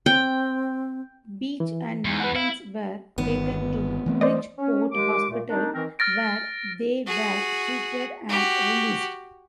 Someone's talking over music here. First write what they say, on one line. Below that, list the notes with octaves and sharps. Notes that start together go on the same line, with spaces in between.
Beech and Nathans were taken to Bridgeport Hospital where they were treated and released.
C4 G5
E3
E2
B4 F#5
E4 F5
G1 D#3 B3
E3 A3 C4
C5 D5 D#5
C#4
D#2 G#3 G4 D6
A#2 A3
D#3 C4 D4 D#4
D#3 E3 C4 A#4
F6 A6 A#6 D7
F#4 G#4
F#4 G4